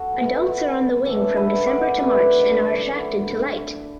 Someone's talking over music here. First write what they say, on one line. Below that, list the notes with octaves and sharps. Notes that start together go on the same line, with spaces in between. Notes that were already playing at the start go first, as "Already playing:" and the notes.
Adults are on the wing from December to March and are attracted to light.
Already playing: F#4 A4
E3 B3 E4
F#2 E3 A3 D4 A4
B4 E5
D5 F#5
F#2 E3 A3 D4 B4 E5
D3 A3 E4